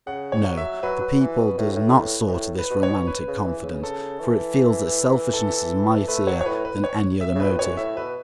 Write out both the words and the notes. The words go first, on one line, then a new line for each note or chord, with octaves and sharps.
No, the people does not soar to this romantic confidence, for it feels that selfishness is mightier than any other motive.
C#3 F#5
C#5
F#3
E5
F#3 B4
F#3
E3
B2
A2
F#2
A2
A2
B2
A2
B4
B2
C#5
B2
B4
C#3
E3
C#3
C#3 A4
E3
A4
A3 B4
F#3 C#5
C#5
A2 B4
B4
C#5
E5
C#3
B2 B4
A2
F#2 C#5
A2 E5
B2 B4